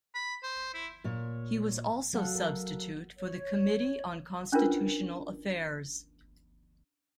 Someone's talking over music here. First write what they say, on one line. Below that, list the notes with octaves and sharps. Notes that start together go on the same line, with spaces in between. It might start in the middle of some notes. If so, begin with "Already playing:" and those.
He was also substitute for the Committee on Constitutional Affairs.
B5
C5
E4
A#2 C#5
F#3 A4 F5 F#5
A#4
C#5
C#4 D4 E4 F4 A#4 B4